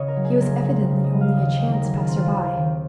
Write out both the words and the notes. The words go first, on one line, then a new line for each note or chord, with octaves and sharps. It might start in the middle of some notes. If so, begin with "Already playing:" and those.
He was evidently only a chance passer-by.
Already playing: C#3 C#5 D#5
A#4
F#3
G#4
F1 A#4
F2
C#3
D#5
F#3
F5
D#2 D#5
D#3
A#4
F#3 G#4
F4
C4
F4
D#2
D#3